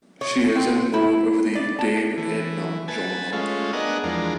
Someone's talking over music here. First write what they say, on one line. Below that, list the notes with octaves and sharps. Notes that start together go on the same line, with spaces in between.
She is in more of the Dame Edna genre.
C#5
C4
E4
D5
A5
E3
B4 G#5 A5
G#3 A3 C#4 F4
B3 D4 G#4 A#4 D#5 F#5
E2 F3 G#3 D4 A#4